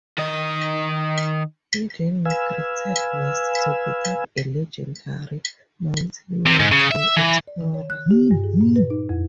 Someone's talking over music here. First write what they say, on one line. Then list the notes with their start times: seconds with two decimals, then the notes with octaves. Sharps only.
He then migrated west to become a legendary "mountain man" and explorer.
0.18 D#3 D#5
2.25 B4 F5 G#5 E6
6.46 C3
6.60 G#2
6.71 C#3
6.91 E5
7.17 E3
7.47 D5
7.61 D#3
7.74 C#5
7.90 F#6
8.11 G4
8.31 G2
8.44 G#4
8.61 A#2
8.76 B4
8.90 D#4
9.09 F2